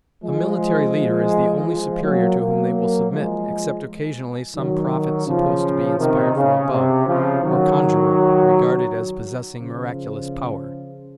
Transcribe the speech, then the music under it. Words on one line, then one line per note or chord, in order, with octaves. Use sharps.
A military leader is the only superior to whom they will submit, except occasionally some prophet supposed to be inspired from above, or conjurer regarded as possessing miraculous power.
F3 G#3
F3 G#3
F#3 A#3
F#3 A#3
F3 G#3
D#3 F#3
C#3 F3
C3 D#3
C#3
C3
C#3 F3
D#3 F#3
C#3 F3